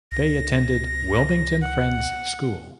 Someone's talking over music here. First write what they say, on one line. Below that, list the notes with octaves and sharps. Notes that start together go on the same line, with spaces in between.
They attended Wilmington Friends School.
C#2 A#6
F#5